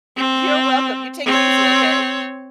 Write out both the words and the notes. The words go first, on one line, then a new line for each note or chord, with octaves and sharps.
You're welcome, you take it easy, okay?
C4
C4 C#5